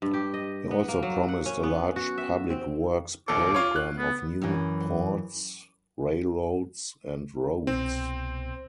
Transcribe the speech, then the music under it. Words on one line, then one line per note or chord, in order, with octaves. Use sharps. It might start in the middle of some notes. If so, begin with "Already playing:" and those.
He also promised a large public works program of new ports, railroads, and roads.
G2
G4
D#5
B3
A#3
F#3
F#5
C#4
B3
F#4
E5
C4
A#1 D#2 A4 D6
F4 C#5
F#6
B3
F#2 E3
C2 B2 C4